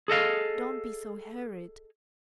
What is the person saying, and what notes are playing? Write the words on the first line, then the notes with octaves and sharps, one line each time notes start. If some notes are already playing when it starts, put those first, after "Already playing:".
Don't be so hurried!
G#4 A4 D#5 F5